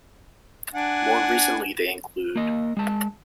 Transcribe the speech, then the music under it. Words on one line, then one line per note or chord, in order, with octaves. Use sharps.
More recently, they include...
D4 F#5 G#5
A#3 D#5
G#3 A5